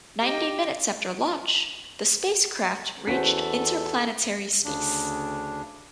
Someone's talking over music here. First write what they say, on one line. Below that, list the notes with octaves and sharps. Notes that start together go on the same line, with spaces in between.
Ninety minutes after launch, the spacecraft reached interplanetary space.
G4 D#5 G5
E2 C#4 F#4 A4 C5 F#5 B6
D2 C#3 D4